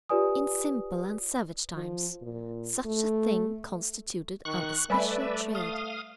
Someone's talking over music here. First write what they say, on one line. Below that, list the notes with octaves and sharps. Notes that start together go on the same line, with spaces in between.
In simple and savage times such a thing constituted an especial trade.
F4 G4 B4 D5 G#5 D#6
F3
A#2
A3
D#3 C#6 F#6
G3 A3 B4 D5 E5 G#5 B5
F5 D#6